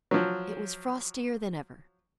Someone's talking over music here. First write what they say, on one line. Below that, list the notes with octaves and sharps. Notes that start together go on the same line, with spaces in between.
It was frostier than ever.
F3 F#3